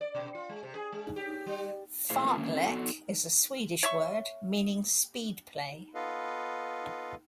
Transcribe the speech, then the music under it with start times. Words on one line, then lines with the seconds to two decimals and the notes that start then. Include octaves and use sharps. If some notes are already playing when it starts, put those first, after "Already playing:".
Fartlek is a Swedish word, meaning speed play.
0.01 D5
0.15 B2
0.35 F4
0.49 G#3
0.63 C3
0.75 G#4
0.92 G#3
1.16 G4
1.46 G3
2.10 A#2 A3 E4 G#4 C5 F5
2.24 A3 A#3 C4 F4 A#4 B4
2.38 D3 D#3 A#3 C#4
2.55 C4 C#4 E4 A4 A#4
2.67 B3 F#4 A4
3.83 C#5 E5 C#6
5.95 B3 F4 A4 B4 D#5 F5